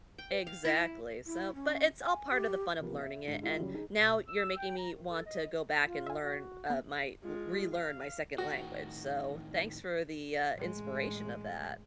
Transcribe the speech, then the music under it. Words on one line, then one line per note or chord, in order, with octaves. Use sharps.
Exactly. So, but it's all part of the fun of learning it, and now you're making me want to go back and learn, uh, my l relearn my second language. So thanks for the, uh, inspiration of that.
G5
F5
E4
E4
C#4
G#5
G4
C3 F3 A#3 B3
E5
G#2 D3
G#3 E4 F4
F#2 C#3 F#3 G3
D#4 G#4
B2
E6
G5
A#5
D#3
A4
D#5
F4
E5 G#5
F#4
B3 A5
G#3 F4
F5
A2 D#3 F#4 G5
A1 G#3